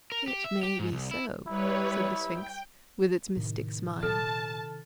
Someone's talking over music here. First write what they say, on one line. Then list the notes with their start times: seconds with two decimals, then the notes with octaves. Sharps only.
"It may be so," said the Sphinx, with its mystic smile.
0.12 A#4
0.28 G4
0.44 E5
0.63 G4
0.79 G#2
0.92 C2
1.11 E4
1.48 G3 E4 B4 C#5
2.33 G5
3.36 A2 C3 D#3 G3
4.03 A#2 A4 A5 F6